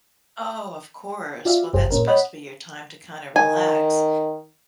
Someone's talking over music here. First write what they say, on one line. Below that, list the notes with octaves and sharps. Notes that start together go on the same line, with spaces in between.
Oh, of course, well that's supposed to be your time to kinda relax,
F4 F#4 D5 E5 F5
G1 C2 F#2 G4 G#4 C5
A#2 C#4 A#4
C#5 D#5 F#5 B5
D#3 G#5